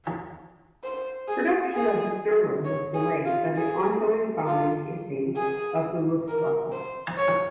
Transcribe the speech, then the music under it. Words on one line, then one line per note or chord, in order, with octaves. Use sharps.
Production of the Stirling was delayed by the ongoing bombing campaign of the "Luftwaffe".
C5
G#4
G#4
C#5
G#4
F4
G#4
F4
G#4
A#4
C5
C#5